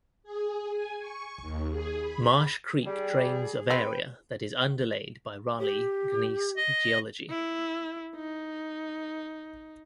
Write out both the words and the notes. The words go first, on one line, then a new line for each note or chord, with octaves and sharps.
Marsh Creek drains of area that is underlaid by Raleigh Gneiss geology.
G#4
G#5
C#6
D#2
G#4
B5
G3 G#4
C4 B4 G5
G4
D#5
E4
D#4